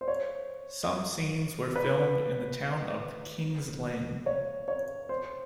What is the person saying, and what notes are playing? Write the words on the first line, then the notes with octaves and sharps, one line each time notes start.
Some scenes were filmed in the town of King's Lynn.
C5
C#5
B4
C#5
C#5
C5